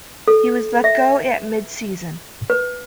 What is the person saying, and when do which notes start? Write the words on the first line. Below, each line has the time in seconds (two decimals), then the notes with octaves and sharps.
He was let go at mid season.
0.28 A4
0.84 E5
2.50 B4